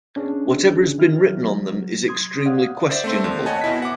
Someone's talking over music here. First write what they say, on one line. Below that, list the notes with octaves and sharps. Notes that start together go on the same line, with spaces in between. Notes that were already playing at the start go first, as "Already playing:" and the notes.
Whatever has been written on them is extremely questionable.
C#4 D4 G#4
D#3 E4 F6
F#3
C6 D#6 G#6
D5 F5 F#5 D#6
C5 D5 E5
A3 C4 C6
D#2
C#5 D#5 F#5 G#5 A5
B2 E4 B6
F#5 D6